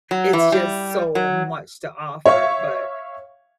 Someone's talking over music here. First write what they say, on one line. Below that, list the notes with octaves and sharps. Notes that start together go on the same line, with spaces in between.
it's just so much to offer, but
F#3
E3
G3
F#3
C#5 E5 F5 C#6